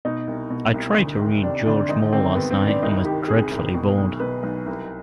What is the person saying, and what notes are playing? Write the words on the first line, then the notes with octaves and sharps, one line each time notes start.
I tried to read George Moore last night, and was dreadfully bored.
B2 D#4
C2
B2
C2
D2
D#3
C3 D4
D2 D4
G#1 D#4
D3 C4
G2 B3
C4
G#1
D4
C2 D#4
D#3 G4
C3 G#4
C2
B2
B1
B2 B4
B1
C2